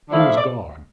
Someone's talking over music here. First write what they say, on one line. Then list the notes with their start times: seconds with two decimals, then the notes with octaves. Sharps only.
He was God.
0.09 D3 F3 A3 E4 D5
0.19 F5
0.27 E5
0.37 D5